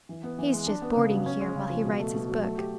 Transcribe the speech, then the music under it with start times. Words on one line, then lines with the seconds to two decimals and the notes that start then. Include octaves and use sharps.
He's just boarding here, while he writes his book.
0.09 E3
0.23 B3
0.39 E3
0.53 G#3
0.67 D4
0.82 B3
0.96 C#3
1.11 F#3
1.26 C#4
1.40 G#3
1.55 C#3
1.70 F3
1.84 B2
1.99 A3
2.14 B2
2.28 F#3
2.43 A3
2.58 G4